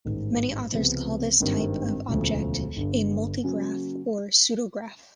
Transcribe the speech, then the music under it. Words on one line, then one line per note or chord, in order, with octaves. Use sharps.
Many authors call this type of object a multigraph or pseudograph.
A1 G#2 D#3
C#2 C3 F3 G#3 B3
G#1 G2 D#3 G3 C4
E1 D2 C#3 F3 A3
G1 G2 D3
C#3 F#3 A#3 C#4